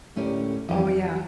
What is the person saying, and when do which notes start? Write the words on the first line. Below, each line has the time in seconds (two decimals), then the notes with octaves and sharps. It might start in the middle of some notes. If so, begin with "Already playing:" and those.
Oh yeah.
0.16 D2 A2 C#4 G4 A#4 D5
0.68 F2 E3 F3 C#4 D4 G4
0.87 G3